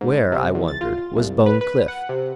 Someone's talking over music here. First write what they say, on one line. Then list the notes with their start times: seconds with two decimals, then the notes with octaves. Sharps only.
Where, I wondered, was Bone Cliff?
0.01 G#2
0.32 C3
0.55 E2
0.68 A6
0.81 F4
1.17 C2
1.46 B4
1.61 B4
1.88 F#5
2.09 C3